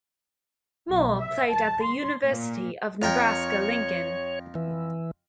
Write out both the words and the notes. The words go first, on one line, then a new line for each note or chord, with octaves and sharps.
Moore played at the University of Nebraska-Lincoln.
B1
E5
A5
C6
A#2
F2 A#4 C#5 G5
E3